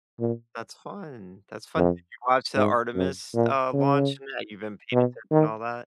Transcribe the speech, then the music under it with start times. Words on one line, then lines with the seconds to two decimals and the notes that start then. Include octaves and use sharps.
That's fun, that's fun. Did you watch the Artemis, uh, launch and that you've been paying attention, all that?
0.20 A#2
1.77 F2
2.56 G#2
2.95 F#2
3.34 A#2
3.73 C#3
4.92 B2
5.31 D#3